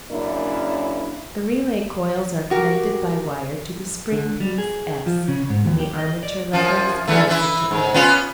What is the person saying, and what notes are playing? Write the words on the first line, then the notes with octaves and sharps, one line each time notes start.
The relay coils are connected by wire to the spring piece, S, and the armature lever is connected to earth.
F#2 C#3 A#3 D4 E4 D5
F#4 G4 A#4
D3
G3
G#4
F3
C#3
G#2
D#2
G4
D#5
D5
F#2 F3
E2 E3 A3
E3 E4
G#2
B3 C#4 F4